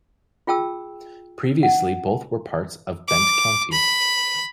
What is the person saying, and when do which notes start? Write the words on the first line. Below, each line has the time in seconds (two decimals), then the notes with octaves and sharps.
Previously both were parts of Bent County.
0.47 F4 G#4 G5 A5 E6
1.63 F#5
3.08 D6
3.72 B5